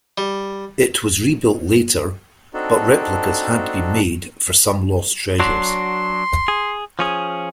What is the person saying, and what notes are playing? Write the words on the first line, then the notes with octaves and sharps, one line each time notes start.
It was rebuilt later, but replicas had to be made for some lost treasures.
G3
C4 D4 D#4 F#4 A4
F#3 D4 F#4 C6
G#4
F3 C#4 G#4